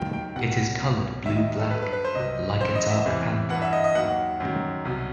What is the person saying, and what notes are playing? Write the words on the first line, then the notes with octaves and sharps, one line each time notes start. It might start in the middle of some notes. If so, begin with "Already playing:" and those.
It is colored blue-black, like a dark panther.
Already playing: D#2 D#3 F#3 G5
G5
C2 B2 F#3 F#5
C2 B2 F#3
D#2 D#3 F#3 E5
D#5
A4
G2 F#3 B4
B4
B4
C5
C2 C3 F#3 D#5
F#2 E3 C5
D#5
E5
E2 C3 E3
G2 E3 F#5
E5
D#5
D#5
D#2 D#3 F#3 F#5
F#2 D#3 F#3
C2 B2 F#3